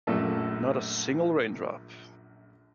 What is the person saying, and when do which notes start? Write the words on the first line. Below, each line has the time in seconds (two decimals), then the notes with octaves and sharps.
Not a single raindrop!
0.07 A#1 F#2 A#2 A3 A4